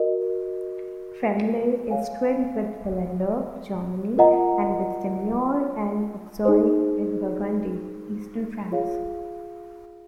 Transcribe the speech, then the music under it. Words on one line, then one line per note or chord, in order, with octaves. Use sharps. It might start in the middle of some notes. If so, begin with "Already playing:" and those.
Cranleigh is twinned with Vallendar, Germany, and with Semur-en-Auxois in Burgundy, eastern France.
Already playing: F#4 A#4 D#5
C#5 F5 G#5
F4 A#4 D#5 F#5 A#5
D#4 G#4 C5
F4 G#4 C#5 F5